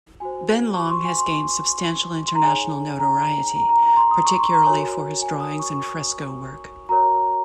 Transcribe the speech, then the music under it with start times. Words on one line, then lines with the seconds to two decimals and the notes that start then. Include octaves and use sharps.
Ben Long has gained substantial international notoriety, particularly for his drawings and fresco work.
0.20 F#4 C5 G#5
0.76 C#6
0.91 C6
1.05 G#5
1.18 C6
2.27 C6
2.35 A#5
2.43 D#4 G#4 C#5 G#5
2.99 A#5
3.56 A#5
3.69 A#5
3.83 A#5
3.96 C6
4.11 D#6
4.25 C#6
4.39 C6
4.52 A#5
4.66 F#4 A#4 C#5 G#5
5.22 G#5
5.40 D#6
5.59 C#6
6.89 F#4 A#4 C#5 A#5